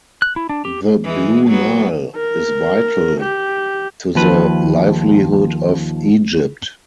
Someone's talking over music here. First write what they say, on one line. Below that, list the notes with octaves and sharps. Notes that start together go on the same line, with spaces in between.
The Blue Nile is vital to the livelihood of Egypt.
F#6
E4
D4
G4
E3 G#3
F#3 B3
A#4
G4
D#2 F3 B4